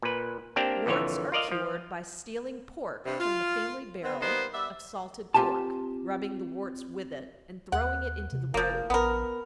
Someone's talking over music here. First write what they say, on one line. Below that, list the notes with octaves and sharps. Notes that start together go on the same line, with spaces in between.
Warts are cured by stealing pork from the family barrel of salted pork, rubbing the warts with it, and throwing it into the road.
A#2 B4
A#3 C4 D4 G4 A#4
F2 A#2 D3 E3 C#5
F4 A#4 D5 D#5 F5
F3
G2 C3
F4
B3 C4
G3 A#3 B3 D#4 C5
G3 B3 D5 E5
C4 F4 G4 G#5 A5
D#2 F#5
C3
F1 F3 A#3
A#1 B3 A#4